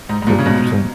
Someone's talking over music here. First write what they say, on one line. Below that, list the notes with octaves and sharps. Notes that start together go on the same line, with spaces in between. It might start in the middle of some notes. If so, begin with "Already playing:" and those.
That's interesting.
G#2
G#2
G2 A#2
C#3
G#2 B2